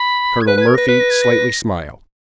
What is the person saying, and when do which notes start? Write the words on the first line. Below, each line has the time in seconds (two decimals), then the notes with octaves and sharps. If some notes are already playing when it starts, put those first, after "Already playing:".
Colonel Murphy slightly smiled.
Already playing: B5
0.41 G#6
0.47 B4 F#6
0.57 B4
0.61 G#6
0.67 A#4
0.74 B4 A#6
0.88 B4 B6
1.00 A#6
1.10 G#6
1.22 A#6